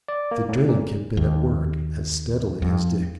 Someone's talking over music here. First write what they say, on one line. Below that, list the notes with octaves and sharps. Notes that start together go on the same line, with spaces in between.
The drink had been at work as steadily as Dick.
D5
A#3
A2
A#2
D#2
F2